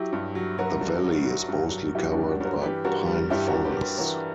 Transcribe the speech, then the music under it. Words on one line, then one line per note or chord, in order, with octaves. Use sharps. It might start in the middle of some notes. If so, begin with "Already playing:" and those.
The valley is mostly covered by pine forests.
Already playing: F#3 E4 G4
G2
F#3
F#3 F#4 A#4
G2
F#3
F#3
G2
F#3
F#3 E4 G4
D4 F#4
G2
D4 F#4
G2 F#4 A#4
E3 G4 B4
G2 F#4 A#4
G3
G2 E4 G4
F#4 A#4
G2
G4 B4
G3
G4 B4
E3 F#4 A#4